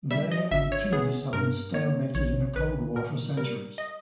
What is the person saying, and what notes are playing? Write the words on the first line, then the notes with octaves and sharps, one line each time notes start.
They and the Qys have been stalemated in a Cold War for centuries.
G3 E5
D#5
G#1 E5
C#5
B3 G#4
G2 A#4
A#3 C#5
A#1 C#5
A#1 B4
A#2 A#4
G3 A#4
D#5